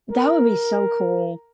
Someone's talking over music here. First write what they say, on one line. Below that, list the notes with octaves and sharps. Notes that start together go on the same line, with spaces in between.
That would be so cool.
A#4